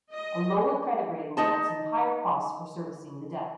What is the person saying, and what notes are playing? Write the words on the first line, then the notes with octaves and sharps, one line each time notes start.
A lower credit rating results in higher costs for servicing the debt.
D#5
D#4 D#5 A5